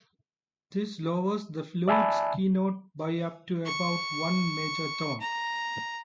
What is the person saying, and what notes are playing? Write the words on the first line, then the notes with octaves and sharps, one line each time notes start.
This lowers the flute's keynote by up to about one major tone.
D5 E5 G#5 A5 B5
C#6
A#5